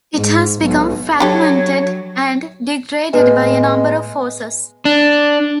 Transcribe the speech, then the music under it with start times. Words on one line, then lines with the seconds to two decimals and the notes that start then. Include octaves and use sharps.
It has become fragmented and degraded by a number of forces.
0.15 G#2
0.61 B1
1.20 F#3 D4 G4 A4 C#5
3.14 A2 G#3 B3 B4
4.85 D4